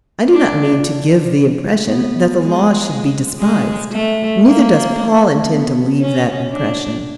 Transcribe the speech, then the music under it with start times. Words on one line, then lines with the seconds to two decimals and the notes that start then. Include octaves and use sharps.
I do not mean to give the impression that the Law should be despised. Neither does Paul intend to leave that impression.
0.29 D4
1.85 B3
2.36 G#3
3.40 G#3
3.92 A3
4.44 A#3
5.47 B3
6.00 C#4
6.51 D4